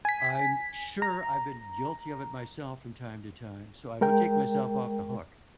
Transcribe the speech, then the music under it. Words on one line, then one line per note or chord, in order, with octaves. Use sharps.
I'm sure I've been guilty of it myself from time to time, so I don't take myself off the hook.
G#5 B6
A#5
G#3 A#4 G5